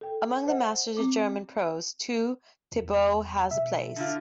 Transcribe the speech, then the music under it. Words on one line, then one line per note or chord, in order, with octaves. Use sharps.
Among the masters of German prose, too, Thibaut has a place.
A4 G5
C5 D#5 F#5
C4 D6
E2
B2 E5
D3 E4 F4